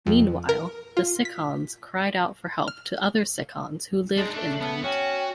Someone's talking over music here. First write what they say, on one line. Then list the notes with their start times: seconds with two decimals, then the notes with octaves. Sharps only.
Meanwhile the Cicons cried out for help to other Cicons who lived inland.
0.07 F2
0.49 A#4
0.97 F4
1.25 B6
2.68 F6
4.17 G#3 D4 D#4
4.36 A3 D4
4.60 B3 A5
4.84 C#4 F#4 G5